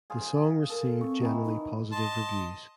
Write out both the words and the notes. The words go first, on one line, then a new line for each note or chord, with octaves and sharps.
The song received generally positive reviews.
F4 G#4
A4 A#4
C4 C#6
D#3 E3
D#4
D#5 A5 C6